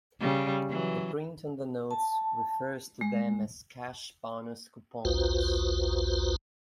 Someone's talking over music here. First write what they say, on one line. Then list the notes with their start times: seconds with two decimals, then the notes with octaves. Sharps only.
The print on the 'notes' refers to them as "cash bonus coupons".
0.20 C#3 G3
0.69 E3 F#3
1.91 A5
3.01 G#3
5.05 A#1 D#2 F4 F#4 B4 C5